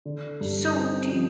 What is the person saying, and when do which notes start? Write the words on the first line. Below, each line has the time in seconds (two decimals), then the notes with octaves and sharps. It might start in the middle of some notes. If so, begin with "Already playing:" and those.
So, do you
0.05 D3
0.41 G2
0.77 C4
1.12 F3